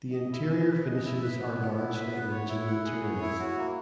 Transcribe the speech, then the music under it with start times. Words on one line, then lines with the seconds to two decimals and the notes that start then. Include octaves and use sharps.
The interior finishes are largely original materials.
0.13 D#5
0.32 E4
0.49 G#5
0.68 B4
0.86 D#5
1.04 E4
1.22 B4
1.40 B3
1.58 B3
1.76 E4
1.95 B4
2.12 B3
2.31 C#5
2.48 E4
2.67 F#5
2.85 G#4
3.03 C#5
3.21 E4
3.39 F#4
3.58 A#3